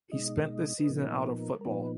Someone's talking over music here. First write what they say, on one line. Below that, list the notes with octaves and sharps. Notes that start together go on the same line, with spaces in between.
He spent the season out of football.
B2 G#3 D#4 D#5
B4
A#2 F3 B3 D#4 A#4
A#4
A#2 F3 B3 D#4 B4